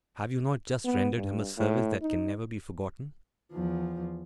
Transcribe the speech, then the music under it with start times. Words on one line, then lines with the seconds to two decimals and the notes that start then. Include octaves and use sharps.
"Have you not just rendered him a service that can never be forgotten?"
0.85 B3
1.16 G2
1.58 A2
2.02 D#4
3.52 E2 F3